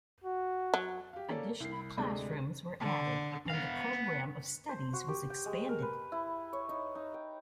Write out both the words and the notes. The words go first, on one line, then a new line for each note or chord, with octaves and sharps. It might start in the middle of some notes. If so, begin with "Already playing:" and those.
Additional classrooms were added and the program of studies was expanded.
F#4
F#3
G4 F5
A#3 C#4 A4 D5 A5
C2 C7
D2 C3 G#3 D4
D3
B3 F5
C5
F#4
G4
G5
G#3
A#4
B4
E4
C#5
D#4
D#4
G5